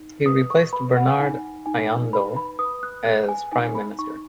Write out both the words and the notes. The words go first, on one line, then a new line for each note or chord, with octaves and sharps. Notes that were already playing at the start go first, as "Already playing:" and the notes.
He replaced Bernard Ayandho as prime minister.
Already playing: D#4
B4 D#6
C#6
B4 B5
F#5
D#4 G#5
D#4 G#5
B4 B5
B5
B4 D#6
F#6
G#4 F#6
G#5
D#4 G#5
B5
D#4 C#6